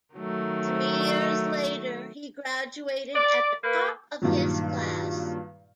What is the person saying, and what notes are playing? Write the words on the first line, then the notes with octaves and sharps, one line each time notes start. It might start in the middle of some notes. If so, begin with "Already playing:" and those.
Three years later, he graduated at the top of his class.
D#3 F#3 A3
D5
A#3 B4
G2 A#2 D#3 F#3